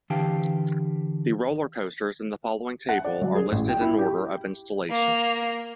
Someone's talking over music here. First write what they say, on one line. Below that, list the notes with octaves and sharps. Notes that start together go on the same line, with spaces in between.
The roller coasters in the following table are listed in order of installation.
D3 E3 G4 F5 G5 A5
F#5
D5
F#3
G#4
A1
G5
E4
G4
A#3